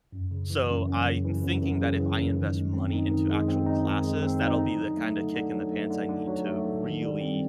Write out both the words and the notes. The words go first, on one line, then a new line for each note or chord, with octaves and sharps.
So, I'm thinking that if I invest money into actual classes, that'll be the kinda kick in the pants I need to really,
F#2
C#3
E3
F#2
F#2
C#3
E3
F#2
F#2
C#3
E3
F#2
D#3
G#3
C4
D#4
D#3
G#3
C4
D#4
D#3
G#3
C4
D#4
D3
F#3
A3
D3
D3
F#3
A3
D3
D3
F#3
A3
D3
D#3
G3
C4